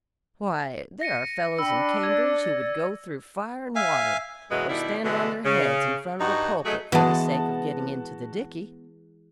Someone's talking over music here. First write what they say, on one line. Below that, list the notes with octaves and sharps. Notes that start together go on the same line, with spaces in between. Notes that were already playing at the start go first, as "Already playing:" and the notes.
Why, there are fellows in Cambridge who would go through fire and water, or stand on their heads in front of a pulpit for the sake of getting into the Dicky.
A#6 C#7 D#7
D4 G5 B5 E6
D5 G#6
E5 F5 G#5
F#2 B2 E3 F#3 G#3
B2 D#3 G3 E4
B2 D3 E3 G#3 A3
C#3
G2 D#4 F#4
F#3 A3 D#4 G#4
E3 G#3 B3 F#4 F#5 A5